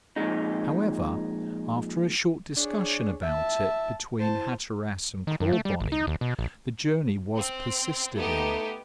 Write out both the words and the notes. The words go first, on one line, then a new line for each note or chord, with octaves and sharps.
However, after a short discussion about it between Hatteras and Clawbonny, the journey was persisted in.
F2 A#2 G#3 D#4
D4 G#4 C#5
E5 A5
E4 C5 A5
D#3
F#2
A3
G3
G#1
D#4
D#2
B2
A#1
C4
A3 B3 D#4 G4